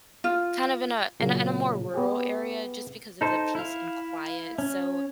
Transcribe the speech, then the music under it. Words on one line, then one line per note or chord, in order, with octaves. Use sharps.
kind of in a in a in a more rural area just because of the peace and quiet, so
F4
A#2 C#3 F#3
B3 G4 G#4
D#4 A4 C5
E4 F5
C#4